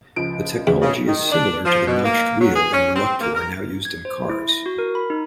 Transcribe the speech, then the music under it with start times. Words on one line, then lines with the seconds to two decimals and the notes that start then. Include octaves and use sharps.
The technology is similar to the notched wheel and reluctor now used in cars.
0.16 C#2 F3 D7
0.67 E2
0.82 C#3
1.07 D#3
1.32 D4
1.65 F3
1.87 B2
2.05 A#3
2.40 F#3
2.55 G#4
2.72 C#4
2.95 C4
3.21 A#3
3.35 A#4
3.85 G#6
4.05 C5
4.30 E4
4.49 A#6
4.66 F#4
4.78 A#4
4.95 B5
5.10 D#4